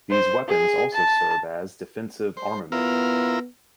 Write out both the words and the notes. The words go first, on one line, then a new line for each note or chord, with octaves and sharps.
These weapons also serve as defensive armament.
C5
G#4
A5
C5
B3 E4 F4 A#4